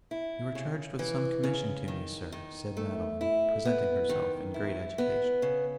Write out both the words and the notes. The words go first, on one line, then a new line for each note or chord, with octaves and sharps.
'You are charged with some commission to me, sir,' said Madeline, presenting herself in great agitation.
E4
C#3
E3
C#3
D#3
D#3
A3
E4
B3
D#3
E4
B3
C#3